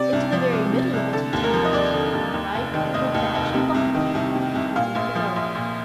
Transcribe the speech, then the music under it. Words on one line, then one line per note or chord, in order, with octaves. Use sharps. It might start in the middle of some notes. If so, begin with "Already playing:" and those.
Into the very middle of it he tumbled, and right through the thatch--bump!--into the room below.
Already playing: C3 D5
C2
F3
C2
C3
C2
D3 A4
D#2
A#4
F3
D#5
D#2 D5
D3
D#2
D#2
F1
D#3
F1 D#5
D#2
F1
C3
C2
D#3
C2
C3
C2
A#2 F5
A#1
F3
A#1
A#2